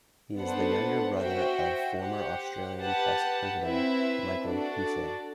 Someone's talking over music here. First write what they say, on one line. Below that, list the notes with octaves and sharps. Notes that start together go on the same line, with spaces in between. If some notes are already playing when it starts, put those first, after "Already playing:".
He is the younger brother of former Australian Test cricketer Michael Hussey.
B3 D4 A4 C5 F#5
F#4 C5 E5 G5
G4 C5 F#5
G4 B4 F#5 A5
C4 E4 B4 E5
D4 F#4 A4 D5